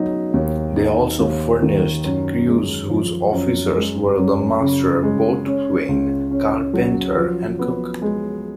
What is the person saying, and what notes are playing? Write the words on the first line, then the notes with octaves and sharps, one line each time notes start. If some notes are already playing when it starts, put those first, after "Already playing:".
They also furnished crews whose officers were the Master, Boatswain, Carpenter and Cook.
Already playing: F#3 B3 D#4
D#2
D#4
D#2
D#3
F#2
G#3
F3
F#2
G#3
F#2
C#3
G#3
C#4
C#2
C#4
F#3
F3
B3
G#3